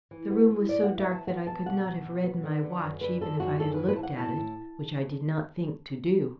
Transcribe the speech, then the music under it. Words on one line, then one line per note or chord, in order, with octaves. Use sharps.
The room was so dark that I could not have read my watch, even if I had looked at it, which I did not think to do.
E3
B3
E3
A2 D5
B3 F#5
E5
B3 A5
B3 F#5
B2 A5
B2 F#5
B2
B2
B3
D3
B3
F#2
D3 B4
D3 A4
F#2 F#4
E3 A4
E3 B4
B4
A5
E3 F#5
A2 A5
A2